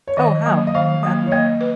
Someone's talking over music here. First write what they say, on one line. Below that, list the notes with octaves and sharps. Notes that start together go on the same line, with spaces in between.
Oh, how? What happened?
C#5
D#3 D#5
F#3 A#3
D#5
D#3 F5
F#3 A#3
C#5
A#3 D#5
B4